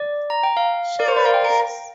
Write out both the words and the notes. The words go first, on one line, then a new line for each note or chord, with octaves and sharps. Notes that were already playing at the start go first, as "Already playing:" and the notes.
Sure, I guess.
Already playing: D5
A#5
G5
F5
A#4
C5
D5
F5
G5